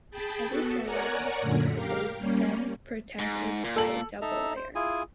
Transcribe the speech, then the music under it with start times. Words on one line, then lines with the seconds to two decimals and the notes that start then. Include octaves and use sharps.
Every pairwise encounter is then protected by a double layer.
0.10 G#4 G5 A5 B5
0.46 B3 F#4 A4
0.83 A#4 C#5 D5 F#5 G#5 A#5
1.41 F#2 A#2 D3
1.73 G4 A#4 F5
2.15 G3 A#3 C#4
3.19 G#2
3.65 A#2
3.76 A4 F#7
4.22 D#4 A4 E5 A#5
4.56 C5
4.75 E4 F4 G#4 G#5